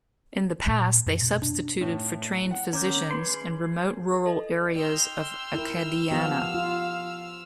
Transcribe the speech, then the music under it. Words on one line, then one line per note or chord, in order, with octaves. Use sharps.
In the past, they substituted for trained physicians in remote rural areas of Acadiana.
A#2
F#2
B2
D4
A2
F#5
D#3 C#4 A#5 D6 G6
G#4 B4 B5 C6
A4 D#5
D#5 G5 C6 E6 F6
E4 A#4
F3 B3 G4 F5
F4